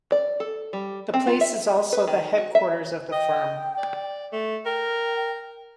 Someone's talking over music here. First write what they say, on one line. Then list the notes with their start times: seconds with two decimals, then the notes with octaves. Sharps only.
The place is also the headquarters of the firm.
0.12 D5
0.40 A4
0.73 G3
1.14 C4
1.27 F4
1.41 E5
1.93 B4
2.07 D#3
2.38 F#4
2.55 E5
3.12 D#5 G5
3.78 D5
4.32 A3
4.66 A#4 G5